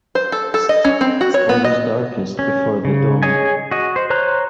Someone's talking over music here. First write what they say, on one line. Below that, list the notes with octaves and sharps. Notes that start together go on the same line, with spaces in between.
It's always darkest before the dawn.
C5
A4
A4
D#5
C#4
C4
F#4
C#5
B3
D#5
C#4
C#3
G#4 C#5 D#5 G#5
F#4 D#5
C5
C5 C#5 A#5 C6 F#6